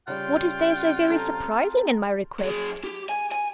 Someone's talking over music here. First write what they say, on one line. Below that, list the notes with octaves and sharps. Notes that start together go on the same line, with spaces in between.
"What is there so very surprising in my request?"
C#3 G3 F4 G5 C6
C4 A4 A#5
F#3 G#4
G4
G#5
G#5